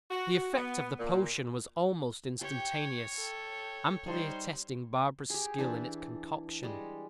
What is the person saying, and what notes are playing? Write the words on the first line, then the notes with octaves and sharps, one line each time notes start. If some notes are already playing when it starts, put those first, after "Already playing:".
The effect of the potion was almost instantaneous, amply attesting Barbara's skill in its concoction.
F#4
B3
A#2
G4 C#5 F#5 G5
A4 G5
G3 D#4 C5
G4 G#4
E3 D4 E4
G3 G#3